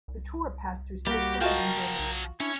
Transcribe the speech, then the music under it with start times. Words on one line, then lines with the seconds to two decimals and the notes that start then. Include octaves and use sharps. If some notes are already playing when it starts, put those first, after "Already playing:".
The Tour passed through Switzerland and Germany.
0.08 C2
1.07 G3 A#3 F#4 G4
1.41 F#3 F4 F#4 A#4 D#5 G5 A5
1.99 B1
2.40 C#4 D4 E4